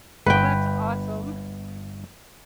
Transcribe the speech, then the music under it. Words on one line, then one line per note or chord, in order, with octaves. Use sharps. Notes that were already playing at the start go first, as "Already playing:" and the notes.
Oh, that's awesome.
G1 B4 G5